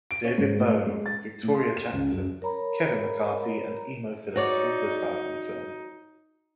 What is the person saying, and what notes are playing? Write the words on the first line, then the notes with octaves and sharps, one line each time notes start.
David Bowe, Victoria Jackson, Kevin McCarthy, and Emo Philips also starred in the film.
D7
C#5
G#2
A2
G#3
A6
A2
C6
E7
C#2
F#2
A#4 C#5 A#5 B5
D#4 F#4 C#5 D5